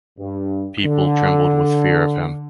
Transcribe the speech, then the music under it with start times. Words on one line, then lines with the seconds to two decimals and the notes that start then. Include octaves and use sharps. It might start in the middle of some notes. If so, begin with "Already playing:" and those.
People trembled with fear of him.
0.19 G2
0.83 D3